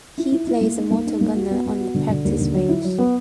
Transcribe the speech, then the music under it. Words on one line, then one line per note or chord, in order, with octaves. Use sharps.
He plays a mortar gunner on the practice range.
E4
E4
E4
A#3
D#4
A#3
D#4
A#3
F#4
B3
B3
F#4
D3
D3
D#2
D3
F#3
E4
F#3
B3